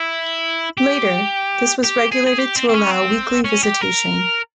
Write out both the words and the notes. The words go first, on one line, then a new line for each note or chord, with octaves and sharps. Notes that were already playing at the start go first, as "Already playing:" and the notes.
Later, this was regulated to allow weekly visitation.
Already playing: E4
G4
G4
G#4
G#4
G4
C4
C4
C#4
C4
C#4
G4
A#4